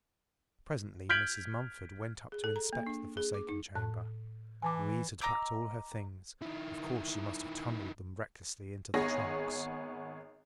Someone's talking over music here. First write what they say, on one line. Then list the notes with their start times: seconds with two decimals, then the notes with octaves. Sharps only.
Presently Mrs. Mumford went up to inspect the forsaken chamber. Louise had packed all her things: of course she must have tumbled them recklessly into the trunks.
1.09 F6 G6 G#6 B6 D7 F#7
2.32 G#4
2.44 A4
2.56 A#5
2.73 A#3
2.87 D4
3.17 G#4
3.34 D6
3.49 D#4
3.75 A2 A5 F#6
4.62 E3 G#5 A5 D6
5.21 D#5 A#5 D6 E6
6.42 D#3 E4
8.94 G#1 B3 G#4 C#5 A#6